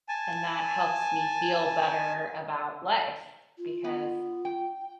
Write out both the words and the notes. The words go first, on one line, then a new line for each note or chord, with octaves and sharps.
and that helps me feel better about life because
G#5 A5
F4
B3
G5